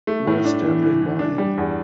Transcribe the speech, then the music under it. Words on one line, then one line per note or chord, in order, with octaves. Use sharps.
We're standing by him.
A3
A2
D4
E3
E3
E3
D4
G3
E2